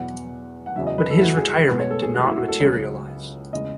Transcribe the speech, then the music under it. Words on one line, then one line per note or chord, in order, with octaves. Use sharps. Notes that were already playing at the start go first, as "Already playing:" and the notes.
But his retirement did not materialize.
Already playing: E2 B2 F#3 B3 F#5
F#5
E2 C#3 F#3 E5
D#5
B4
A4
E4
F#4
G#4
B1 B2 G#3 B3 B4
C#5
A4
G#4
F#4
E4
F#4
A4
C#2 C#3 F#3 C#5
E2 C#3 G#3 D#5